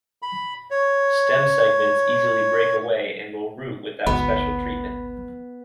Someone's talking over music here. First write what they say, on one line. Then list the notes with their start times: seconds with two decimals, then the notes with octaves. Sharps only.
Stem segments easily break away and will root without special treatment.
0.22 B5
0.71 C#5
4.07 G#1 D2 G#2 B3 B5